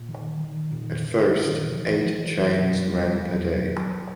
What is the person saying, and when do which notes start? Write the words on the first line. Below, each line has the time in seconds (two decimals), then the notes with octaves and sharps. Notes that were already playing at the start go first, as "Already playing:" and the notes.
At first eight trains ran per day.
Already playing: A#2
0.09 D#3
0.39 D#3
0.71 A#2 D#3
1.02 D3
1.35 D#3
1.66 B2 E3
1.75 F3
1.84 E3
2.04 F3
2.14 E3
2.60 B2 F#3
2.84 G3
2.99 F#3
3.08 G3
3.20 F3
3.32 F#3
3.54 B2 F#3